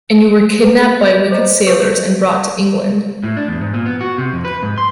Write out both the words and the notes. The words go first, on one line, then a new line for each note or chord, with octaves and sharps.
And you were kidnapped by wicked sailors and brought to England.
B4
D5
A4 C5 C#5 D#5 A#5
G4 A4 B4 C#5 E6
A2
D4
E2
G#2
A#2
B3
F#4
C3
F2
B4
G#2
C6